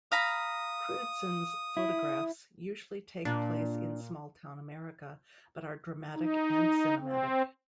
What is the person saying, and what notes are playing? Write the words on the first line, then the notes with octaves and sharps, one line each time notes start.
Crewdson's photographs usually take place in small-town America, but are dramatic and cinematic.
F5 A#5 B5 D#6
E4
A#2 D4
D#4
C4